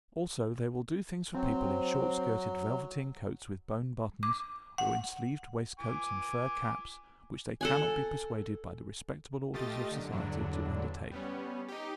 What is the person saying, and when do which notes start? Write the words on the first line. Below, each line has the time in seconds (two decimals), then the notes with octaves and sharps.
Also, they will do things for people in short-skirted velveteen coats with bone buttons, or in sleeved waistcoats and fur caps, which they cannot be persuaded by the respectable orders of society to undertake.
1.34 F#3 C4
4.23 D6
4.78 F#5
5.80 G#5 D6
7.61 A4 F#5 G#5
9.54 A3 F4 G4 D#5 A6
9.91 F#2 D3
10.12 E2 G2 D3 F#3 D4
11.11 G3 B3 C#4
11.68 D#4 G4